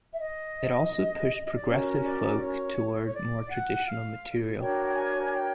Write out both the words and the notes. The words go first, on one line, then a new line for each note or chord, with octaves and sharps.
It also pushed progressive folk towards more traditional material.
E5
D#5
D#5
D5
C#4 F#4 A#4 C#5
C#5
D5
C#5
C#5
D5
F#5
F5
D4 F#4 A#4 C#5 G5
G5
G#5
G5